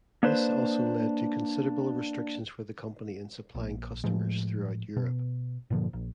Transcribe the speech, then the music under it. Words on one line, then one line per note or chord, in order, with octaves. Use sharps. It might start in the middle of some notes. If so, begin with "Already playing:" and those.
This also led to considerable restrictions for the company in supplying customers throughout Europe.
A#3 D4 B4 C5
A#1
A2 F3 G#3
B2
G2 A#2 D3 F3
A#1